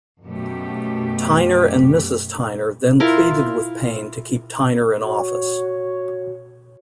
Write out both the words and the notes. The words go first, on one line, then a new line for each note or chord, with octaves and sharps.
Tyner and Mrs. Tyner then pleaded with Payne to keep Tyner in office.
F#2 B2 A3 G4
E4 F4 A#4 F5
F#4 C#5